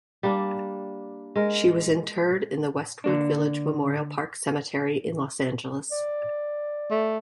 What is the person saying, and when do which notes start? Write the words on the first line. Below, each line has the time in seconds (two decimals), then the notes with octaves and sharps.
She was interred in the Westwood Village Memorial Park Cemetery in Los Angeles.
0.23 G3 A#3 D4
1.36 G#3 A#4
3.04 D3 A#3 D4
5.92 D5
6.91 A3